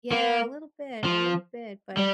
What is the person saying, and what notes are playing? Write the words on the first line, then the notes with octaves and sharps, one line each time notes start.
Yeah, a little bit, a little bit, but but
A#3
F3
G3